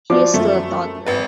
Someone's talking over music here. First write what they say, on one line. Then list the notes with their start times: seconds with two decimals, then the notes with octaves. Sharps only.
He is still a toddler.
0.10 F3 F#4 D5 D6
0.34 F#2 F#3 A3
1.06 G#1 B4